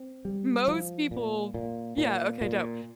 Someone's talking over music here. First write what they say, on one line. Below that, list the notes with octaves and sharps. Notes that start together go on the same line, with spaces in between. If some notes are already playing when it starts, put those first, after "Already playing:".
most people yeah, okay, dope
Already playing: C4
G3
F3
A#2
A#2
A#2
A#2